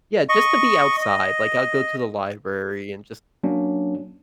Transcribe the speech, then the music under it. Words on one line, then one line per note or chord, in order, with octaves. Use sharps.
Yeah. Just to be outside, like, I'll go to the library and just
D#5 C#6
D#5
F#3 A#3 C#4 D4